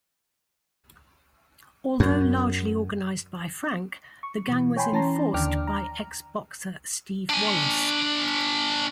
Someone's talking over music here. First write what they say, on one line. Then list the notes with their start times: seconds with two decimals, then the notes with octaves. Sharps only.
Although largely organized by Frank, the gang was enforced by ex-boxer Steve Wallace.
2.00 F#2
4.23 C#6
4.48 B2 E3
4.76 C#5 G5 G#5 B5 C6
4.92 E3 C#4 A5 A#5 C6
5.34 D#2 D3 D4 G5 D6 F6
5.67 A#5
7.29 D4 G#5